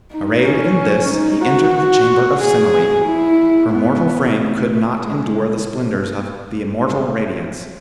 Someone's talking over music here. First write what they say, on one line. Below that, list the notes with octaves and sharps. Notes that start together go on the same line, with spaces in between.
Arrayed in this, he entered the chamber of Semele. Her mortal frame could not endure the splendors of the immortal radiance.
D#4
C#4
D#4
F#4
F#4
G#4
E4
B3
A3
G#3